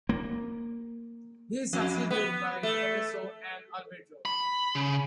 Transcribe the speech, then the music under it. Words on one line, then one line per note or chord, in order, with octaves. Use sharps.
He is succeeded by Tommaso and Alberto.
A#3
F2
B3
A3
B5
C#3